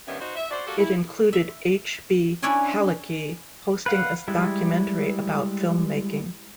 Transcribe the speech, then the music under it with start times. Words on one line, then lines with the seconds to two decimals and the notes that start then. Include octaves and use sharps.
It included H. B. Halicki hosting a documentary about film making.
0.07 G2 D#3 B3 C#4 E5
0.21 D#4 F#4 C5
0.36 E5
0.51 F#4 C5 D5
0.66 A#3 F#4 G4 A4
0.78 E4
1.33 E5
2.42 C#4 D4 E4 C#5 D5 G#5
3.86 B4 F5 F#5
4.28 G3 G#3 E4